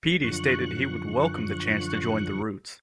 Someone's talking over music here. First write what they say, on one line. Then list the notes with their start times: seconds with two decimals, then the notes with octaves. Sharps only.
Peedi stated he would welcome the chance to join The Roots.
0.24 F#2 D3 F3 C#6 F#6